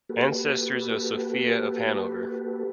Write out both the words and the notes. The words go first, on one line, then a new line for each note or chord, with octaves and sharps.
Ancestors of Sophia of Hanover.
A#3 F#4 G4 A4 B4